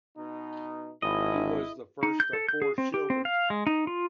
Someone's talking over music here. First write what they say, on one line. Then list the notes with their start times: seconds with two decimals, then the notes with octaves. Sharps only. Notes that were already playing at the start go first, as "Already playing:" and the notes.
He was the first of four children.
0.17 B2 D#4
1.02 G#1 E4 D#5
2.03 D#4
2.20 G6
2.33 A4
2.49 G6
2.62 G#4
2.78 C4
2.94 G4
3.10 C4
3.25 F5
3.50 G#3
3.67 D#4
3.87 F4